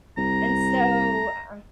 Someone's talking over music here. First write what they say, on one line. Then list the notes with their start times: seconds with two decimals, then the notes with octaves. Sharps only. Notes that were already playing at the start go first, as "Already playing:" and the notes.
And so, uh
0.18 C2 A#5